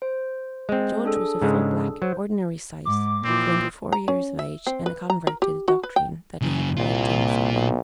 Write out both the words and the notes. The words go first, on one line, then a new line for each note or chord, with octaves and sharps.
George was a full black, ordinary size, twenty-four years of age, and a convert to the doctrine that he had a right to himself.
C5
G#3 C4
D4 G#4 A4
G#2 C#3 G#3
F#3 C5
G#2 D6
A#2 E3 F3 C4
A#5
C#4
E5
C4
B4
A#5
A#4
G4
F#4
B4
G5
F#2 C#3
C2 A#2 F4
B1